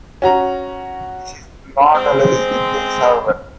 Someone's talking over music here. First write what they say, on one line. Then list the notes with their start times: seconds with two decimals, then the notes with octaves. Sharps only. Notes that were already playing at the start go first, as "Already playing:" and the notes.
This is not always the case, however.
0.22 C#4 F#4 A#5
1.94 G#3 C4